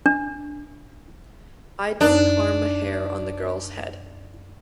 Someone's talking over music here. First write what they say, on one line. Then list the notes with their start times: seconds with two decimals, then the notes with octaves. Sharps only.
I didn't harm a hair on the girl's head.
0.06 D4
2.01 F#2 D4 D#4